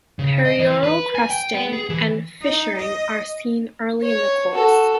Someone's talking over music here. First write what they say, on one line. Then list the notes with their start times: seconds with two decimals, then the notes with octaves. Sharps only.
Perioral crusting and fissuring are seen early in the course.
0.19 C#3
0.45 D#5
0.60 E3
0.83 B4
1.15 G#5
1.30 G5
1.54 B3
1.73 G#4
1.90 E3
2.42 D#4
2.77 D#5
4.02 C#5
4.52 F#4 A4